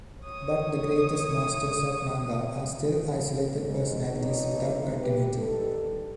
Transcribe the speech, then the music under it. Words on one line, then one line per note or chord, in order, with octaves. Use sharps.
But the greatest masters of Nanga are still isolated personalities without continuity.
C#5 D#6
G#2
A#2 B3 D4 D#4 A4 C#5
G4 B4
G2 D#3 G3 A4